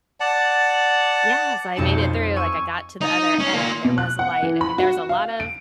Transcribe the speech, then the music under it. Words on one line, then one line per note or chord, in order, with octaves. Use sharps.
Yeah, so I made it through, like, I got to the other end, there was a light, I mean, there was a lot of
D5 F#5 A5
B1 F2 D#4 A5 C#7
C5
G#5 C#6 E6
D#4
C#4
A#3 F4
B2
F#6
F#5
E3
B5
F#4
F5
D7